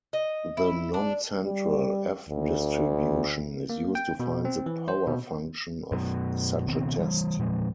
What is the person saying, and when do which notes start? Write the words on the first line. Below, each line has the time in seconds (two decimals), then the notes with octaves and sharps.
The noncentral "F"-distribution is used to find the power function of such a test.
0.13 D#5
0.57 E4
0.94 D4
1.46 G3
2.29 D2
3.70 A#3
3.95 G5
4.20 B2
4.45 C4
4.66 E3
4.88 C5
5.07 B2
5.92 F#2 B2
6.68 B2 D#3 B3 C4
6.99 E3 G3
7.39 A#2 F3 G#3